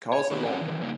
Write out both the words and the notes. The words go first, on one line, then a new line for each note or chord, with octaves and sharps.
Cars are long.
C#5
D#3 A#3 C4 D#4 G4 B4
C4 C#4 A4 C#5 D5 F#5
B2 D#3 E3
G2 C#3 A#3 D#4